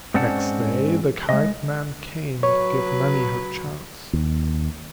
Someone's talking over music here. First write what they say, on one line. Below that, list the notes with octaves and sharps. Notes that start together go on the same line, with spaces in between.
Next day the kind man came to give Nanny her chance.
G#2 C4 C#4 D5 F#5 A5
G#3 D#5
F#3 B4 C#5
D#2